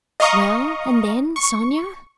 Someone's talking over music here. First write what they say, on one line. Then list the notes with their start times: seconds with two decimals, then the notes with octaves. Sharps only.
"Well, and then, Sonya?..."
0.20 D#5 F5 A#5 C#6 D#6
1.36 C#6